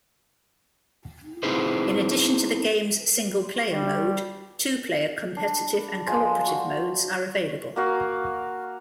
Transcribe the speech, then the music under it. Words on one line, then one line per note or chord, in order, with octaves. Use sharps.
In addition to the game's single-player mode, two-player competitive and cooperative modes are available.
C4 D#4 E4 G#4 B4 C5
G3
D4
B5
F3 G#3 C5
F#4
A#3 F#4 F5